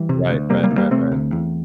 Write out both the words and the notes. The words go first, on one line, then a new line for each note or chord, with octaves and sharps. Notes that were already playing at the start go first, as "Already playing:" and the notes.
Right, right, right, right.
Already playing: E3 G3
C3
D2
C3 G3 A#3
G3 A#3
D2
G3 A#3
C3 A3 C4
D2
E2